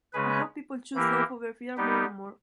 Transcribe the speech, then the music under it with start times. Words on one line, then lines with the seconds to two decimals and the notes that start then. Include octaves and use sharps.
I hope people choose love over fear more and more.
0.13 C#3 G#3 C#4 G#4 B4
0.95 E3 A#3 E4 G4 A#4
1.77 G3 B3 D#4 G4